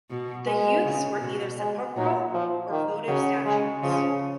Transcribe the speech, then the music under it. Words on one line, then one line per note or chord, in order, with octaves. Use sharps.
The youths were either sepulchral or votive statues.
B2
G#3
C#3
B2
G#3
A#2 F#3
F3
D#3
C#3 F#3
C#3 G#3
C#3 F3